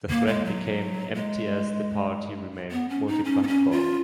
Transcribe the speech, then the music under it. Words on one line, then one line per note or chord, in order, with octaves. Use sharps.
The threat became empty as The Party remained multi-platform.
A#3
G#3
F#3
G#3
B3
C#4
D#4
C#4
B3
C#4
F4